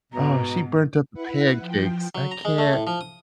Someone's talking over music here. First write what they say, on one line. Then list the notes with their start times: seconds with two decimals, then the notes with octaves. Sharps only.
Oh, she burnt up the pancakes, I can't
0.13 G#2 B2 B3 A#5
1.13 E4 B4 F#5
1.59 F3 G5
2.15 F#3
2.31 A#5
2.45 G#3
2.58 A3
2.73 A2
2.87 F3
3.01 D#6